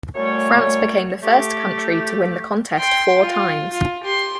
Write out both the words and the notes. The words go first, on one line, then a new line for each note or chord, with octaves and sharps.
France became the first country to win the contest four times.
F#2 A2 G3 A3 C#5
A3 G4
G5 C6
F4
F4
G4 C6